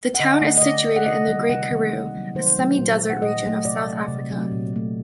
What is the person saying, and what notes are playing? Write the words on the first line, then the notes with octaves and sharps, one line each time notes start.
The town is situated in the Great Karoo, a semi-desert region of South-Africa.
F#5
D3 D#5
A3
D#5
D3 D5
A3
F#5
C3 D#5
D#3 G3 A#3
C3 F#5
D#3 G3 A#3
D#3
F#3 A3
D#3 C5
F#3 A3
A#2
F#3 A3
F#5
A#2 D#5
F#3 A3
C3 D5
F#3 A3
C3
F#3 A3
A#2
F#3 A3